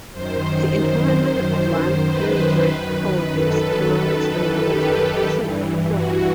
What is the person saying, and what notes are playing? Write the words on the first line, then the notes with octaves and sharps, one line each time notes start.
The entwinement of land, military, politics, economics and religion was a way of life.
F#2 D#3 C5
B4
F#2 D#3
A4
A4
G4
G2 E3
F#4